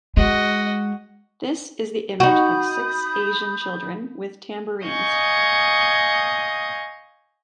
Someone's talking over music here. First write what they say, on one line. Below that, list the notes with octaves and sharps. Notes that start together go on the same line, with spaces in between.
This is the image of six Asian children with tambourines.
G#3 F#4 D#5
D#4 F#4 B5 D#6 G6
D#5 F5 G#5 C#6 D#6 G6